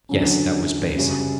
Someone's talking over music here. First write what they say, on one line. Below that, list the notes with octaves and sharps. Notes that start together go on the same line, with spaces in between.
Yes, that was base.
D3 F#3 C#4
F#2 C#3 G3 C#4